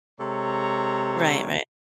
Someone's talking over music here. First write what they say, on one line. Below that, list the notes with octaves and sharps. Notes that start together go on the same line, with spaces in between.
right, right.
C3 G#3 A4 C#5 A#5